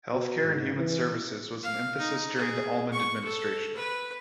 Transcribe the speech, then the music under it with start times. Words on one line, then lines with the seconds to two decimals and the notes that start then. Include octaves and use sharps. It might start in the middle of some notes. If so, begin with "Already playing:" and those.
Health care and human services was an emphasis during the Almond administration.
0.13 B2
0.43 G#2
0.76 E3
1.63 F5
1.98 D#4
2.37 G#4
2.92 C#6
3.24 A4
3.75 B4